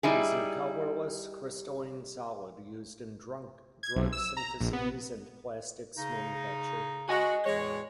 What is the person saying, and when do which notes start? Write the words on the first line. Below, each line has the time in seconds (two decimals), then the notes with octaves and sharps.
It is a colorless crystalline solid used in drug syntheses and plastics manufacture.
0.03 G3 D#4 E4 G#4
3.83 G#6
3.96 B1
4.13 E6
4.37 A#5
4.60 A#1
4.73 B3
5.98 C#3 D#4
7.09 F#4 D#5 G#5
7.45 E2 A2 E3 G#3 C#5